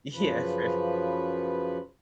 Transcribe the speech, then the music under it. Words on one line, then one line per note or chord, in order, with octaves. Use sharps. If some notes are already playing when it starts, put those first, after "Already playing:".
Yeah, for
F#2 C#3 F3 B4